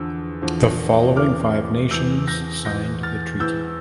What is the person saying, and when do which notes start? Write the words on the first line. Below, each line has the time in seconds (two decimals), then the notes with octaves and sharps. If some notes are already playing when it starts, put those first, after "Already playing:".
The following five nations signed the treaty.
Already playing: E2 D3 F3 E6
0.42 E2 D3 F3
1.16 E2 E3 D6 F6
1.91 E2 E3 E6 G6
2.28 G6 A#6
2.65 E2 E3 G6 A#6
3.03 F6 A6
3.40 E2 E3 E6 G6